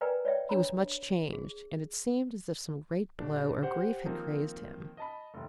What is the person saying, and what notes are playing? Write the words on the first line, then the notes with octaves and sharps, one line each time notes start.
He was much changed, and it seemed as if some great blow or grief had crazed him.
A#4 B4 D5 G5 G#5 A#5
C#5 D5 E5 G5
D4 C#5 A#5 B5
G#4
D#1 D4
G4 C5 F#5
D#3 F3 A#3 C4 D#4
D#5 A5 B5
F1 D#2